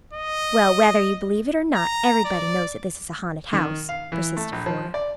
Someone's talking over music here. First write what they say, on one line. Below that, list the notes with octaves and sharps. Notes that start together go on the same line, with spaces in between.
"Well, whether you believe it or not, everybody knows that this is a haunted house," persisted Flora.
D#5
A#5
D5
D#3
F5
E3
A3
A#1
F3
D5